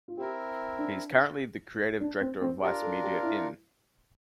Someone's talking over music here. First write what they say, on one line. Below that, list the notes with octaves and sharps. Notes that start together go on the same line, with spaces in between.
He is currently the creative director of Vice Media, In.
F4
C4 E4 G4 A#4
D4
D4
C4
C4
D4 F4 G4 A#4
A4
G4
E4